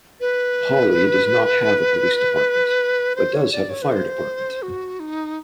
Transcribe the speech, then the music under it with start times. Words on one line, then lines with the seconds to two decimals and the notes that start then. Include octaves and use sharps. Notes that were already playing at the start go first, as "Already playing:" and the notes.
Hawley does not have a police department, but does have a fire department.
0.20 B4
3.16 C5
3.33 C#5
3.52 D5
3.70 C#5
3.82 B4
3.89 C5
4.62 F#4
5.00 D#4